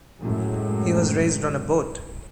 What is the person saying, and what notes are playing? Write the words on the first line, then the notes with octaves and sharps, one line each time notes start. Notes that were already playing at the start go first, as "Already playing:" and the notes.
He was raised on a boat.
F#2 A2 F#3 G#3